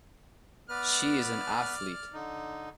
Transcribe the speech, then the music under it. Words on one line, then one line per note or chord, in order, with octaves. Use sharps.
She is an Athlete.
B3 B4 D5 F6
D3 D#4